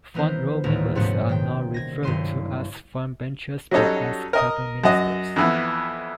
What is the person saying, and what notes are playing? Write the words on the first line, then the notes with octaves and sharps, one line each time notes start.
Front row members are not referred to as frontbenchers, but as cabinet ministers.
D#3 E3 B3 A#4 C5
D#1 D2 A2 E3 A#4
G#2 C3 F3 B3 C#4 F#4
D#3 G5
G#6 A#6
F#1 G2 D#3 E4 C6 D#7
F#3 G3 C#4 D#4 A4 C#5
A#4 D#5 D#6
F#2 F#4 D#5
F2 E3 B3